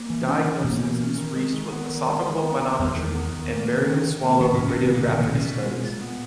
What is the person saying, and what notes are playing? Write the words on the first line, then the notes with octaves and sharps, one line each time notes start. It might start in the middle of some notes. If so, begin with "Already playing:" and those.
Diagnosis is reached with esophageal manometry and barium swallow radiographic studies.
Already playing: A#3
E3
C#4
E3
B2 A#3
E3
C#4
D#3
G#3
D#3
B3
D#3
G#3
D#3
B3
D#3
E2 G#3
D#3
B3
D#3
A#3
D#3
C#4
D#3
A#3
B2 D#3
G#2
C#4
A#2
B2 D#3
A#2 A#3
A#2
D#3
A#2
B2 C#4
A#2
G#3
A#2
B3